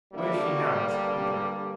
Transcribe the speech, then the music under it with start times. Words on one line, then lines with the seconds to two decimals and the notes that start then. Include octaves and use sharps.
"Where is she now?" asked Peter.
0.13 G2 D3 G3 A#3 E4
0.43 F#4
0.74 G4
1.05 G4